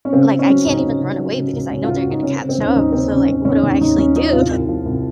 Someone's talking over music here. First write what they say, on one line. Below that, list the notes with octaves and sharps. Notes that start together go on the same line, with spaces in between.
like, I can't even run away because I know they're gonna catch up, so like, what do I actually do?"
C#4
C#3 C4
C#3
C#4
F#3
C#2 D#4
C#2
C#3
F#3
C#3
C#2
C#2 C#4
F4
C#2
F#4
C#2 D#4
C#3 C#4
C4
C#3
C4
D#2
C#4
D#2 D#4
C#3 C4
C#3 C#4
D#2 C4
D#2 C#4
D#2 C#4
D#2 D#4
D#2 C#4
F3 D#4
C2 F4
C2
F3
C2